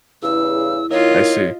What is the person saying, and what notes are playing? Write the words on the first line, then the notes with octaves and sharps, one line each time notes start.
I see.
E2 G2 C#3 E4 E6
D#3 A#3 E4 F4 C#5 D#5